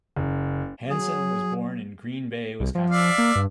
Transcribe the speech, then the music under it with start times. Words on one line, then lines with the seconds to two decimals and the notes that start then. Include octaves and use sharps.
Hansen was born in Green Bay, Wisconsin.
0.16 F#1
0.90 F#3 G#4
2.60 C2
2.75 F3
2.90 D5 E5 F5
3.18 A#3
3.36 G2